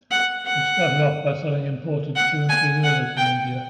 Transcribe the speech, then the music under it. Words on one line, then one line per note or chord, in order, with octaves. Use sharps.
It started off by selling imported two- and three-wheelers in India.
F#5
F#5
F#5
G#5
F#5
G5